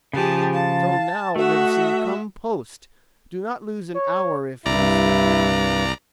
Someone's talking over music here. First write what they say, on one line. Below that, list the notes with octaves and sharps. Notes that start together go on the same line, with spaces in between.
So now, Livesey, come post; do not lose an hour, if you respect me.
C#3 F3 G4 G#4 A5
F5 A5
A3 F#4 D#5 E5 F#5
C#5
C2 G2 E4 D5 A#5